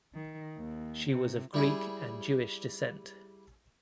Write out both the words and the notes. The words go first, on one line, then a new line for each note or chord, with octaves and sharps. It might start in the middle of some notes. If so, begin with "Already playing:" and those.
She was of Greek and Jewish descent.
D#3
D#2
C3
G3 E4 G#4